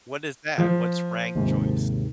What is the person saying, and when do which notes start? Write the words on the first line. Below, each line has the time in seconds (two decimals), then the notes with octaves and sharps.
What is that? What's "rank choice"?
0.58 F3
1.35 D#2 G#2 C3